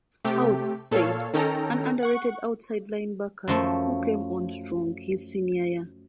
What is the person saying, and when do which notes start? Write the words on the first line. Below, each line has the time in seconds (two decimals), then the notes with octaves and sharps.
Scouts said, An underrated outside linebacker who came on strong his senior year.
0.25 C3 A3 G4
0.91 A#2 A4 C#5 F5
1.34 D#3 C#4 A4 G5 A#5
2.03 F#5 C#6
3.48 F#2 F3 A3